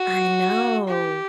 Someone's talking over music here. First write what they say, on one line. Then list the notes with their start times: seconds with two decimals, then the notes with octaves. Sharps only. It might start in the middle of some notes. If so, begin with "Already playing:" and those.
I know.
Already playing: F#4
0.88 G4